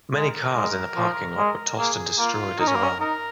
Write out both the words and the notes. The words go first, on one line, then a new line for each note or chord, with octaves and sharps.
Many cars in the parking lot were tossed and destroyed as well.
G#3 A#4
G#3
F3
G#3
A#3 G#4
A#3 F4
D#4 A#4
C#4
A#3
C#4
D#4 A#4